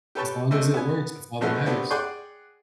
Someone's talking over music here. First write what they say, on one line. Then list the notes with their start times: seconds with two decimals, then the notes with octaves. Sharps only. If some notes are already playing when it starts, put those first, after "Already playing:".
As long as it works, that's all that matters.
0.15 G4 A4 B4 C#5 G5 A5
0.51 C3 G#3 A3 E6
0.74 B3 G#5
1.41 G2 B2 F3 G#3 A3 F#4
1.66 G3 A3 B3 C4 D4 F#4
1.90 G#4 D5 F#5 G5 C6